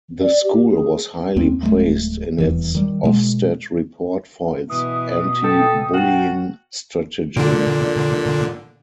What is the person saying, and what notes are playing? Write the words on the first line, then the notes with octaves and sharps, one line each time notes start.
The school was highly praised in its Ofsted report for its anti-bullying strategy.
D5
G4
G#4
D#2 A#3 C4 C#4
D1 E2 G#3 A3
D#1 E2 E3
D#3 G3
B2 G#3 A#3
B2 E3 D#6
A4 G5
F#4 F5 G5 A5
A#2 D3